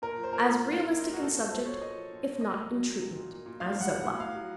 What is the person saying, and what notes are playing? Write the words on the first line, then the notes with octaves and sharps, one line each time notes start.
"As realistic in subject, if not in treatment, as Zola."
A#2 A#4
F3
C5
A#2 A#4
A#2
A#2
F3
A#2 D#4
A#2 F4
F#4
F3 A4
F#4
A#2 A4
A#2 C5
A#2 C#5
F3 D#5
F3
A#2
F3
A#2 D#5
A#2
F#3
A#2
F#3
A#2
A#2
A#2
A2 F5
A2
F#5
F#3
A2 F#5
A2 F5
F#3